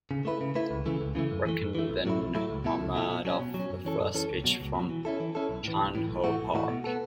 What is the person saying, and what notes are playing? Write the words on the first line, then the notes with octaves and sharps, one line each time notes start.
Ripken then homered off the first pitch from Chan Ho Park.
C#3
A3 E4 B4
C#3
A3 E4 B4
C#2
C#3 E3 A3
C#2
C#3 E3 A3
F#2
E3 A3
F#2
E3 A3
B1
A2 F#3 A3 E4
B1
A2 F#3 A3 E4
C#2
B2 A3 E4 A4
C#2
B2 A3 E4 A4
B2
F#3 C#4
B2
F#3
C#4
F#2
E3 C#4 A4
F#2
E3 C#4 A4
C#2
B2 F#3
C#2
B2
F#3
E3
C#4 E4 A4
E3
C#4 E4 A4
B1
A2 E3
B1
A2 E3
B1
A2 E3 A3 F#4
B1
A2 E3 A3 F#4
B2
B3 A4